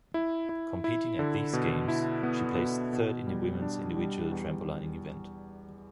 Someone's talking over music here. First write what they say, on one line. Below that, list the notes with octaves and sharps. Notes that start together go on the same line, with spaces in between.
Competing at these games, she placed third in the women's individual trampolining event.
E4
E4
E4
D3
B2
E4
B3
B2
B2
G3
D4
G3
E2